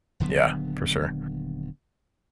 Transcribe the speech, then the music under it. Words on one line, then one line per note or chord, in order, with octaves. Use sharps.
Yeah. For sure.
D#1 D3 F#3 B3